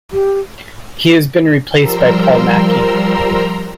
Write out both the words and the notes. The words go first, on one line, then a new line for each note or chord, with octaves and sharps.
He has been replaced by Paul Mackie.
G4
F3 G3 A#4 A#5 C6 E6